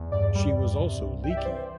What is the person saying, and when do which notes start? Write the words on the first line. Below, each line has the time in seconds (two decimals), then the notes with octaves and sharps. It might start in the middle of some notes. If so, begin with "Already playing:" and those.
She was also leaky.
Already playing: E2
0.12 G2 D5
0.35 G3
0.56 G2
0.79 C3
1.01 C2
1.22 C2 G5
1.30 E5
1.37 D5
1.45 E3 C5